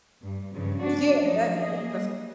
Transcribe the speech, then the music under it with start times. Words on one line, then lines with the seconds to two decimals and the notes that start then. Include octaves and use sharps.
Yeah, that that's just
0.22 G2
0.51 G2 C#3 F3
0.82 C#4 D4 F#4
1.22 F3 F#3 G#3 A3 D#4
1.56 F#3 A#3 G#4 D#5
1.95 G3